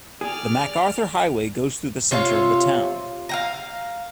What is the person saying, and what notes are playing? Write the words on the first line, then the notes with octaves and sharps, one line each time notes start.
The MacArthur Highway goes through the center of the town.
G#4 D5 F6
C3 F4 C#5 F5
F5 G5 A#5